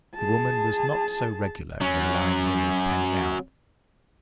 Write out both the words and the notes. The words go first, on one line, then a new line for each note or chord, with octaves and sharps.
The woman was not so regular in allowing him his penny out.
G#4 A5
F#3 C#4